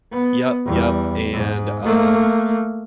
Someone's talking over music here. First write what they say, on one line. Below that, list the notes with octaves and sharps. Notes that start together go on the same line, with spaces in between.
Yep. Yep. And, um
B3
E2 G3
G#2
A3 A#3